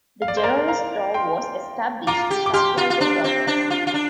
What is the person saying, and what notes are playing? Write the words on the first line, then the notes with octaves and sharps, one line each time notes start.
The General Store was established to supply the workers.
F5
D5
C5
A#4 D5
F5 A#5
G5 C6
F4 A#5 D6
G4
D6
G4 C6 F6
F4
F4
D4
C4
D4
F4
F4
D4